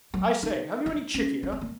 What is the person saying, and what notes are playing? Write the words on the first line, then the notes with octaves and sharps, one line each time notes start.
I say, have you any chikhir?
F#3
D#4
D#4
C#4
C#4
C4
A#3